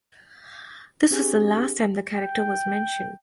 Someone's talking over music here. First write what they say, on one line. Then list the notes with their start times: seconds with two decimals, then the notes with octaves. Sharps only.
This was the last time the character was mentioned.
1.11 C4 D4 G4 G#4 G#5
2.13 G5